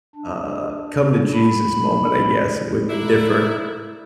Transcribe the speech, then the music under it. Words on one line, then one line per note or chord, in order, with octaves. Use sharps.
uh, come-to-Jesus moment, I guess, with different
D4
B5
A#3 D4 E4